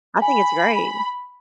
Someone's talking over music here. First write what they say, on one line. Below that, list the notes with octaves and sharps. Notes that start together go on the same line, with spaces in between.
I think it's great.
G#5 B5